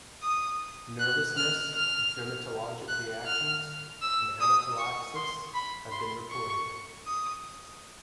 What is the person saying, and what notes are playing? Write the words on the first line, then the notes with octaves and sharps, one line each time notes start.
Nervousness, dermatologic reactions, and anaphylaxis have been reported.
D#6
F#6
F6
F6
F#6
F6
E6
D#6
C#6
C6
B5
C6
C#6
D#6